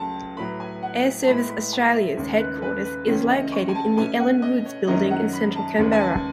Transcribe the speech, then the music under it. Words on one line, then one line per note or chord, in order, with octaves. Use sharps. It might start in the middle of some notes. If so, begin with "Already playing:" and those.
Airservices Australia's headquarters is located in the Alan Woods Building in central Canberra.
Already playing: C#2 C#3 F#3 A3 C#4 A5
A2 F#3 B3 B5
G#5
F#5
A5
A2 G#3 B3 B5
B5
G#5
E5
D#2 C#3 G#3
B4
A4
B4
B4
C#2 C#3 E3 A3 C#4 C#5
D#5
C#6
G#5
A5
B2 A3 C#4 G#5
F#5
D#5
C#5
F#2 D#3 F#3 C#4 D#5
F#5
B5
A5
D#2 C#3 G#3 B3
G#5
A5